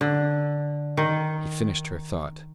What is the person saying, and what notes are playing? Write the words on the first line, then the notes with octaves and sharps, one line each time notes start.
He finished her thought.
D3
D#3